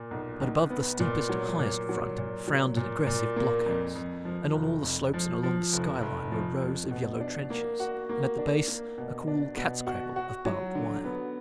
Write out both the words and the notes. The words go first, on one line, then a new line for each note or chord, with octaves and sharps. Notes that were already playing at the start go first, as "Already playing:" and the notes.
But above the steepest, highest front frowned an aggressive block-house, and on all the slopes and along the sky-line were rows of yellow trenches, and at the base a cruel cat's cradle of barbed wire.
Already playing: A#2
B1
B1
B3
A#2
F#3
A#2
F#3
A#2
F#3
A#2
A#2
A#3
F2
F2
F3
F1
F2
F3
F3
F1
F1
F3
F2
B2
D4
A#3
F#4
A#3
D4
A#3
B2
D4
B2
F#4
F#4
F#3
D3
B3